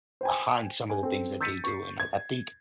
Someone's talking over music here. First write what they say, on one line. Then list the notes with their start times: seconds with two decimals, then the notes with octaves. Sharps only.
behind some of the things that they do, and I I think
0.21 C5 G5 G#5
0.90 G#5
1.03 C4 A4
1.41 E6 G6 A6 B6 C#7 D#7
1.64 C#6 C7
2.00 G#6